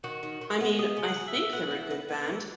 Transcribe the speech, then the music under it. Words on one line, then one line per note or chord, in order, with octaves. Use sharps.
I mean I think they're a good band.
D#3 F#4
D#3
D#3
B3
G#4 D#5
C#3
F#5
G#4
E5
G#3
B3 F#5
E4
B3
B3
E3